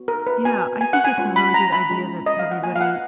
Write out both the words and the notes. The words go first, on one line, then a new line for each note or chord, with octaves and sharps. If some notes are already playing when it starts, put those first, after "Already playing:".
Yeah. I think it's a really good idea that everybody
Already playing: B3 F#4
A#4
B4
B3 F#4 G#5
G#5
F#5
G#5
G#3 C#4 F4
B5
A#5
B5
G#3 C#4 F4
D#5
F5
F#5
A#3 F4 G#5
F5
F#5